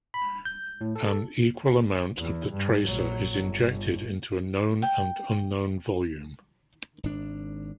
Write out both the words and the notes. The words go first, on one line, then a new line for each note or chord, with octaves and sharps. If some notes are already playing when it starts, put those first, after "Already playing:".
An equal amount of the tracer is injected into a known and unknown volume.
B5
G6
A2
A4
E2
G2
A#1 F#3
G1
G5
G#1 D4